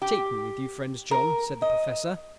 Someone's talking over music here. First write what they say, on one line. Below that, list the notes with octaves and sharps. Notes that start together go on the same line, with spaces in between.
"Take me with you, friend John," said the Professor.
G4
A#4
D#5